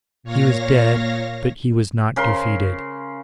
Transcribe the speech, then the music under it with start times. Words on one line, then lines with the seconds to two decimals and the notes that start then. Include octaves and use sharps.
He was dead, but he was not defeated.
0.23 A#2 C#5 F5 A#6
2.16 C#3 A#4 C6